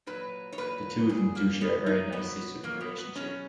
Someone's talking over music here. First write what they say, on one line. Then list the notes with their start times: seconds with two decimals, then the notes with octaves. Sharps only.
The two of them do share a very nice sisterly relationship.
0.06 A#2 F#3 B4
0.52 C#5
0.58 A#2 F#3 B4
1.09 A#2 F#3 G#4
1.35 A#3
1.61 A#2 F#3 B3
1.86 D#4
2.12 B2 F#3 B3
2.63 B2 F#3 A#3
2.81 B3
2.98 B3
3.15 B2 F#3 C#4